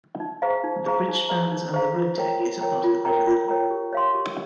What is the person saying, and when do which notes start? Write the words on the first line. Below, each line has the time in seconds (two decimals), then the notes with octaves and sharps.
The bridge spans and the road deck is above the river level.
0.20 D#4
0.42 G#4 C5 F5 A#5
0.64 D#4
0.86 G#4 C5 F5 A#5
1.08 D#4
1.29 G#4 C5 F5 A#5
1.51 D#4
1.73 G#4 C5 F5 A#5
1.96 F4
2.18 A#4 C#5 G5 A#5
2.39 F4
2.61 A#4 C#5 G5 A#5
2.84 F4
3.05 A#4 C#5 G5 A#5
3.27 F4
3.48 A#4 C#5 G5 A#5
3.71 G4
3.93 C#5 F5 C6
4.15 G4